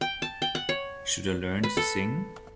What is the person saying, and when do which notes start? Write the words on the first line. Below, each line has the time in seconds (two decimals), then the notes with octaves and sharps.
Should I learn to sing?
0.01 G5
0.22 A5
0.42 G5
0.55 F#5
0.69 C#5
1.64 B4
1.77 A4